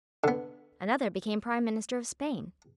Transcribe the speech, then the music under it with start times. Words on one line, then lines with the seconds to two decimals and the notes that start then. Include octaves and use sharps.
Another became Prime Minister of Spain.
0.24 D3 B3